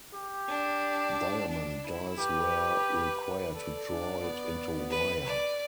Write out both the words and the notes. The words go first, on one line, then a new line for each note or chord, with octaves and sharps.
Diamond dies were required to draw it into wire.
G4
D4
D4
E4
G4 B4
A4 D5
D4
B3
B4
D5